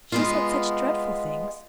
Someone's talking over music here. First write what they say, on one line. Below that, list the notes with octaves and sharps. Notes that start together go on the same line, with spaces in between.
"She said such dreadful things."
G#3 B3 F4